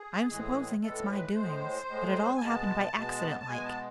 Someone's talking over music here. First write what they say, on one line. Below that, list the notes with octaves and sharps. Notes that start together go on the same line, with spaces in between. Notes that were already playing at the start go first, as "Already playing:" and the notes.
I'm supposing it's my doings, but it all happened by accident, like.
Already playing: G#4
A2 E3 G#3
A2 E3 G#3 A4
B4
A2 G#3 C5
A2 G#3
G#5
B2 G#3 A5
B2 G#3
A5
B2 G#3 G#5
A5